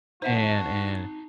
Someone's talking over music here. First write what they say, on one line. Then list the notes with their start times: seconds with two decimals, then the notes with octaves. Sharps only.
And and
0.22 D#4 F#4 C5 E5 F#5 A5